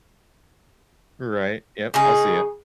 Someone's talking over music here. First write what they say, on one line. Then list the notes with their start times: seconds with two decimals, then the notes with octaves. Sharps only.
Right, yep, I'll see ya.
1.94 C#3 D#4 G#4